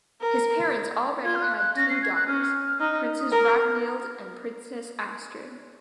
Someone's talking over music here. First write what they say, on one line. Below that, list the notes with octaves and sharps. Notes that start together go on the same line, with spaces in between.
His parents already had two daughters, Princess Ragnhild and Princess Astrid.
A#4
F4 G#6
F6
F#6
F#6
C#4 A#6
C7
G#6
F#6
C#4 F6
D#4
D#6
A#4 F6
F6